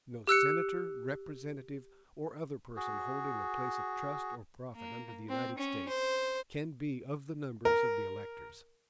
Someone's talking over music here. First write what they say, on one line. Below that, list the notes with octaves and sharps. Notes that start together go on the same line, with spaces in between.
No senator, representative, or other person holding a place of trust or profit under the United States, can be of the numbers of the electors.
G4 E6 F#6 C#7
F#4 G#4
A#3
C4
C#4
C5
A#4